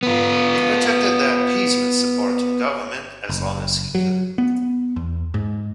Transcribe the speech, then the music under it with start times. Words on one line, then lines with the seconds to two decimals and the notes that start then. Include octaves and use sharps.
He protected the appeasement-supporting government as long as he could.
0.03 B3 F4
3.29 F#1
3.95 F#3
4.38 B3
4.96 E2
5.34 G#2